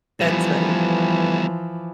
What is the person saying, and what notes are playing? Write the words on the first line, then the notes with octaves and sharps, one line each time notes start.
That's funny.
E3 F3 G3 B3